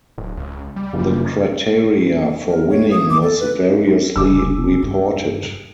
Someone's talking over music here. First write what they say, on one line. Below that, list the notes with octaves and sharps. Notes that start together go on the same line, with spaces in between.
The criteria for winning was variously reported.
D1
C#2
G3
F#1 F3
A#4
C#5
D#6
D6
A4
B4
F1 C#2 G#4 D6 E6
G2